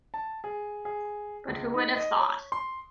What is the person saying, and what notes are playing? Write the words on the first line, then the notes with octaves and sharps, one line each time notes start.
But who would have thought?
A5
G#4
G#4
C#2
D#4
D#5
C#5
C6